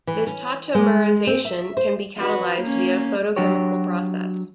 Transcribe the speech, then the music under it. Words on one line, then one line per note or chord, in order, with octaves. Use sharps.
This tautomerization can be catalyzed via photochemical process.
E3
C#4
G#3
C4
E5
C5
F#4 B4
A#3 C#4
F#3 D4 F#4 G4 C#5